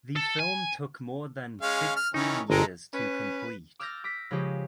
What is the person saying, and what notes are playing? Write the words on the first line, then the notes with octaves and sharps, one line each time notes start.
The film took more than sixteen years to complete.
A4
G#5
G#3 C#4 F5
F6
D#3 E3 C#4 D#4
G1 G#3 A4 D#5 G5 A#5
C#4 B4
D6 E6 F6 G6 A6 A#6
D6 A#6 B6
C#3 F3 G#3 C#4 G4